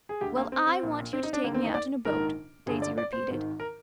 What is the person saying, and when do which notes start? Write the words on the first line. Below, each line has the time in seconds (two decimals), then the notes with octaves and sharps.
"Well, I want you to take me out in a boat!" Daisy repeated.
0.09 G#4
0.21 D2 D3 G4
0.36 A#3
0.52 C4
0.67 C4
0.83 A#1 A#2
1.13 C4
1.23 D#4
1.33 D4
1.44 D#2 D3 A#3
1.54 C4
1.65 D#4
1.74 D5
2.05 A#1 G#2 D#3 A#4
2.66 G1 G2 D3 G#4
2.82 D5
2.98 D5
3.13 C5
3.28 G#1 G#2 D#3
3.60 A#4